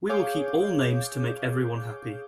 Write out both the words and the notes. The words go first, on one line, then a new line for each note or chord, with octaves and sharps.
We will keep all names to make everyone happy.
G#4 C#5 F5 D6 G6